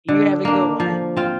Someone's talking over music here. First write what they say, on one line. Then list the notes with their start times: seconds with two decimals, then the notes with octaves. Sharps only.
you have a good one.
0.08 D3
0.45 A#3 D4
0.80 F3
1.16 C4 F4